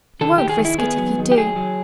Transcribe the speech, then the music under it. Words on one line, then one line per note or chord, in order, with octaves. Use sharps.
'You won't risk it if you do.
D#3 A4
D#3 G4
G#4
D#3
E4
B3 G#4
F#3
D#3
G4
F#3 G#4
F#3